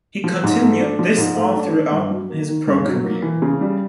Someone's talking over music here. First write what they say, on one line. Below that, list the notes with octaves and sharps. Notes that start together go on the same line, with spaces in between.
He continued this all throughout his pro career.
F3
G#2
A3
D4
F3
G#2
A3
D4
D#3
G2
F#3
A#3
D#3
G2
F#3
A#3
E3
C#3
G3